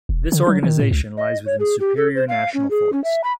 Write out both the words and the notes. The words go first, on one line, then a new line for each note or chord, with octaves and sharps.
This organization lies within Superior National Forest.
E1
D3
F#3
D#3
A2
C#2
D#5
C#5
G#4
G4
A4
C5
F5
C#4
G#4
C#4
E5
B5